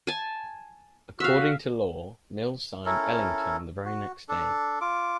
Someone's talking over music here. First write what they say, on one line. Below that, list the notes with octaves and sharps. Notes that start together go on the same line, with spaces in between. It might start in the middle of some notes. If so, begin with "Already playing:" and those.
According to lore, Mills signed Ellington the very next day.
G#5 A5
F#4 E5 F5
C#4 E4 A4 A#4
F#4
D4 A4
F4 D6